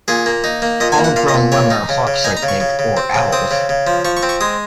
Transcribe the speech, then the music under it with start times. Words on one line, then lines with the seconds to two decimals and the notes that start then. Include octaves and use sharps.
All grown women are hawks, I think, or owls.
0.08 A#2 G#4
0.26 A#3
0.44 D#4
0.62 A#3
0.80 A#2 D#5
0.92 G#5
0.98 A#3
1.04 F#5
1.16 A#2 F5
1.28 D#5
1.34 A#2
1.52 C#3 C#5
1.71 D#4
1.89 C#3
2.07 C#3
2.24 D#4 G#5
2.37 A#5
2.43 C#3
2.48 C#6
2.60 C#3
2.79 C#3
2.97 C4
3.15 C#3
3.32 C4 D#6
3.51 C#3
3.69 C#3
3.87 F3
4.05 F3 C#6
4.17 C#6
4.23 C4
4.29 C#6
4.41 G#3 D#6